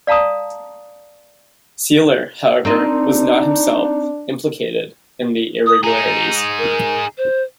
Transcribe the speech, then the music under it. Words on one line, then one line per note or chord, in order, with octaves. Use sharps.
Seeler, however, was not himself implicated in the irregularities.
D5 F5 A5 A#5 D#6
C4 D4 D#4 A#4 D#5
D#6
D#4 G#4 A#5
A#4
C5